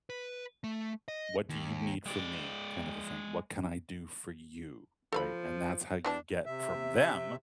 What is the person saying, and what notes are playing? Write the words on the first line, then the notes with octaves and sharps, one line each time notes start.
what do you need from me kind of a thing, "What can I do for you?" right, and that's how you get from them
B4
A3
D#5
D#2
G#3 D5
F3 A4 F5 B5
E3 G3 D4 A5
C3 E5